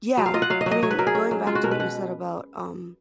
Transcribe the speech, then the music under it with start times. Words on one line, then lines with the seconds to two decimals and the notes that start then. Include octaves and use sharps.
yeah, I mean, going back to what you said about, um,
0.17 F#3
0.26 F5
0.34 F4 D#5
0.42 F#5
0.50 F#3 F5
0.61 D#5
0.66 F#3
0.71 D#5
0.83 F#3 C#5
0.91 B4
0.99 F#3 A#4
1.07 G#4
1.15 C#4
1.31 F#3
1.47 G#3 F4
1.55 F#4
1.64 B2 A#4
1.71 B4
1.80 B2 F#5